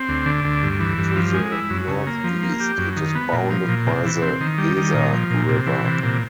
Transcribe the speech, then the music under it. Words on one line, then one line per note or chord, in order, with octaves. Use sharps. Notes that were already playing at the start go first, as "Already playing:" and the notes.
To the northeast it is bounded by the Weser river.
Already playing: C4
D2
D3
D2
G2
E3
G2
F3
G#3
E4
F#2
C#3
A#3
F3
A#3
G4
F#2
D#3
B3
A#2
F3
A#2
C3
E3
C4
D#3
G3
D#3
A#2
F3
A#2
C3
E3
C3
A#2